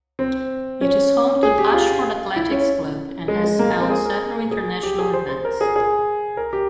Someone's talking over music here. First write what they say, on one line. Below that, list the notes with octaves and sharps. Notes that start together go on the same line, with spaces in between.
It is home to Ashford Athletics Club, and has held several international events.
C4
C#4
G#4
G4
F4
E4
C#4
G#3
G#3
A#3
G#3
C4
G#4
A#4
G#4
G4
G#4
C5
C5
A#4
G#4
G#4
A#4
G4